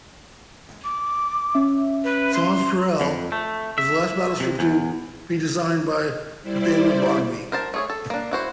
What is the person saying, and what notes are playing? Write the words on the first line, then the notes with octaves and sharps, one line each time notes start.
"Sans Pareil" was the last battleship to be designed by Nathaniel Barnaby.
D6
C#4 E5
B4
C6
F2
A3
E5
C3
E2
G3 E4 C5 D5
A#4 C5 A5
A3 G#4 C#5
A4
A#3 D4
E4 F#4 C5